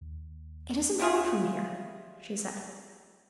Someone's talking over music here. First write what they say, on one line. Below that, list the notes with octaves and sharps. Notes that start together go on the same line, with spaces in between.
"It isn't far from here," she said.
D#2
G3 E4 F4 G#4